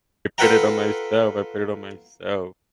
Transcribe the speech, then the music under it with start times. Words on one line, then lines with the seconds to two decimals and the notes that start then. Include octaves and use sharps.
put it on myself, I put it on myself.
0.38 F4 A4 B4 F#5 G5 A#5